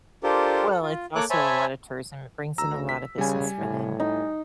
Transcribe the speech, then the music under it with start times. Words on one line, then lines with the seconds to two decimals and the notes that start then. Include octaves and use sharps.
Well, it's also a lotta tourism, it brings in a lot of business for them.
0.23 D4 F4 G4 A4 A#4 C5
0.70 A4
0.82 F4
1.15 A#3 A4 A#4 C#5 D6 F#6
1.30 C5 C#5 E5 G#5 A5 B5
2.58 D2 A#5 E6
2.89 B6
3.18 C#3 G3 G#5
3.59 A2
4.00 D#4